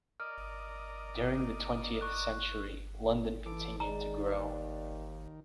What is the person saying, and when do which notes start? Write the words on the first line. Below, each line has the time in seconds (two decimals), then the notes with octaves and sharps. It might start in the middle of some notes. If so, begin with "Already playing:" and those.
During the twentieth century, London continued to grow.
0.20 A#4 D5 D#5 F6
2.01 C#6 F#6
3.46 E3 A4 D6
3.80 D#3 G#3 D5 A#5
4.24 D#2